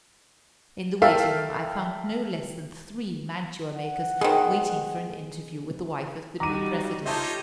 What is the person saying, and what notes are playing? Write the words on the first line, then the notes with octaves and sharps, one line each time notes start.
In the waiting-room I found no less than three mantua-makers waiting for an interview with the wife of the new President.
A4 A#4 E5 F5 G5
F#5
B2 D#3 G#4 C5
G3 D#4 F#4 A#5 D6 D#7
D#4 F4 G4 A4 C5 C#5 E5 A5